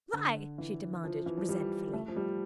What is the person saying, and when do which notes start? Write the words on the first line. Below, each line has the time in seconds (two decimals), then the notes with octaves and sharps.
"Why?" she demanded, resentfully.
0.13 D3
0.58 E3
1.04 F3
1.26 E3
1.37 F3
1.49 G3
1.93 A3
2.08 F3
2.16 G3